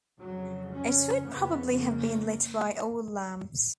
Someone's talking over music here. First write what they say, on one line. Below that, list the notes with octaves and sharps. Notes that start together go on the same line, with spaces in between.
It would probably have been lit by oil lamps.
F2 C#3 F#3
C#4
F2 C#3 B3
A#3